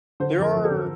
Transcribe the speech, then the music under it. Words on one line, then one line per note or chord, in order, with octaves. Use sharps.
There are
D3 C5
F2 A#4
F2
A4
D3